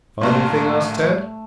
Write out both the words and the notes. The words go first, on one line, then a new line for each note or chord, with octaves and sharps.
"Find anything?" asked Tad.
A#1 A2 G3 A3 A#3 C6